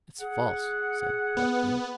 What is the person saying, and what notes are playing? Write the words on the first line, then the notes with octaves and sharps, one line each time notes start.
"It's false," said Bellfield.
G#4 F#5
B3